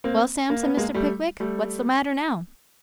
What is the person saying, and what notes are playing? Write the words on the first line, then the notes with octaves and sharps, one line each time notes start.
'Well, Sam,' said Mr. Pickwick, 'what's the matter now?'
A#3 C4
A#3
B3
G#3 A#3
G3 A3
G3 A3